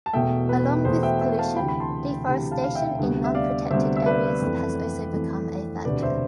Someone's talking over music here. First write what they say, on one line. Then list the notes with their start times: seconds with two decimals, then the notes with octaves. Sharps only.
Along with pollution, deforestation in non-protected areas has also become a factor.
0.06 A5
0.13 E1 E2 B2 A3 E5 G5
0.49 B4
0.85 E1 E2 B2 A3 C5
1.03 E5 G5
1.21 E5 G5
1.39 F5 A5
1.56 D2 C3 E3 G5 B5
1.68 B5
1.80 A5 C6
2.28 D2 C3 E3
2.52 F5 A5
2.64 F5
2.75 E5 G5
2.99 D2 C3 G3 B3
3.24 E5
3.35 D5 F5
3.71 D2 C3 G3 B3 C5 E5
3.97 E5
4.06 B4 D5
4.42 F2 E3 A3
5.13 F2 E3 A3
5.85 E1 D2 C3 B4 D5
6.02 C5 E5